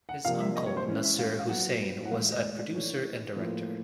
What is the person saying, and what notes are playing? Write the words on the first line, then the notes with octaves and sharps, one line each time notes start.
His uncle Nasir Hussain was a producer and director.
F#5
C3 F3 A#3 D4 F5
E5
D#5
C#5
C5
E3 G#3 C#4 C#5
E5
F5
F5
A#2 F#3 B3 F#5
F#5
A2 E3 G#3 F5
E5
D#5
D5
D5
E3 A3 D4 C#5
A2 F3 A#3